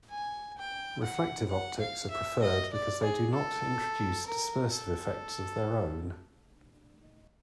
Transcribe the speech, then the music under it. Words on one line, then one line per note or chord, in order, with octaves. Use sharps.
Reflective optics are preferred because they do not introduce dispersive effects of their own.
G#5
G5
F#5
F#5
F5
E5
D#5
D5
G#4
A4
A#4
A4